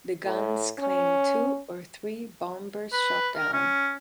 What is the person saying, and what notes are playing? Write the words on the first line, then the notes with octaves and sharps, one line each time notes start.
The guns claimed two or three bombers shot down.
A2
C#4
B4
A#4
C#4